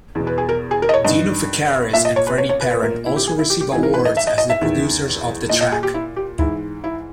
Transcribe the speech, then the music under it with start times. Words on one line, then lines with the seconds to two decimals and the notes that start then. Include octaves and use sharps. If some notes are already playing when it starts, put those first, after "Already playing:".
Dino Fekaris and Freddie Perren also received awards as the producers of the track.
0.15 E2 B2
0.27 B4
0.38 G#4
0.49 A#4
0.71 G#4
0.82 A#4
0.89 D#5
0.94 C#5
1.04 G2 D#3 D#5
1.93 A#2 E5
2.05 D#5
2.16 C#5
2.27 B4
2.38 C#5
2.49 C#5
2.61 B4
2.71 B4
2.82 A#2 A#4
3.06 E4
3.16 G4
3.27 G#4
3.39 E4
3.50 G4
3.61 G4
3.72 G#2 G#4
3.75 E3
3.83 A#4
3.94 B4
4.05 D#5
4.17 E5
4.27 D#5
4.38 D#5
4.50 E5
4.61 E2 D#3
5.49 A#2 D#5
5.61 D#5
5.72 G#4
5.83 G4
5.94 E4
6.16 G4
6.38 G#2 E3 E4
6.84 E4